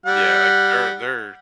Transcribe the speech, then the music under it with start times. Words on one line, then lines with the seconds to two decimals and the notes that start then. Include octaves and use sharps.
yeah, like, they're they're
0.06 G3 F#5